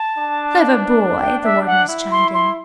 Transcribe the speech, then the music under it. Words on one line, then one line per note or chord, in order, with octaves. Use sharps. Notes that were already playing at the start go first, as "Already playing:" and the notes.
"Clever boy!", the Wardeness chimed in.
Already playing: A5
D4
G5
E5
F#5
E4
C6
C6